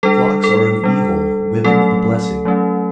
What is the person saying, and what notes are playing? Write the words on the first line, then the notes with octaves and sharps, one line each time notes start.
Clocks are an evil, women a blessing.
G3 D4 A4
A4
G3 D4
F#3 A3 C#4 A4
F#3 A3 C#4